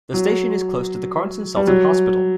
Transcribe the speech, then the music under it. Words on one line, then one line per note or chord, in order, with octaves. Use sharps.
The station is close to the "Corentin Celton Hospital".
F#3
G3
F#3